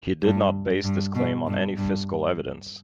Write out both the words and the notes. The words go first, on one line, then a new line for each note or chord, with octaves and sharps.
He did not base this claim on any physical evidence.
G2
G2
B2
G2
G2